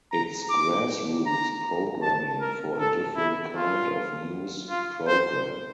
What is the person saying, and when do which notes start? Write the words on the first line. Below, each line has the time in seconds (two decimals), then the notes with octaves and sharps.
It's grassroots programming for a different kind of news program.
0.12 A#5
0.50 D6
1.26 A#5
2.02 A5
2.41 A#4
2.79 A4
3.16 E4
3.55 F4
4.69 F4
5.07 C5